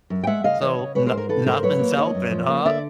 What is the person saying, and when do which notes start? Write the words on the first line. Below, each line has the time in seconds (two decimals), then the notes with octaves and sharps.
So, no nothing's helping, huh?
0.10 F#2
0.23 G5
0.27 G#3 E5 F#5
0.44 C#3 D#5 F5
0.61 E3 C#5 D#5
0.78 C#3
0.95 G#3 B4 C#5
1.06 A#4 C5
1.12 G#2
1.17 A#4 C5
1.29 D#3 A4 B4
1.46 G#2 A#4 C5
1.63 F#3 B4 C#5
1.80 A#3
1.97 D#3 C#5 D#5
2.15 F#2
2.31 F3
2.48 A#3
2.65 D3 D5 E5